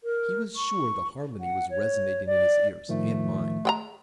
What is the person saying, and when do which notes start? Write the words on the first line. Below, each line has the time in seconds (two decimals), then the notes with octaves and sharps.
He was sure the harmony was resonating in his ears and mine.
0.04 A#4
0.56 C#6
1.40 F#5
1.71 C#5
2.26 D5
2.89 A2 D#3 F3 A3
3.65 G#3 G5 A#5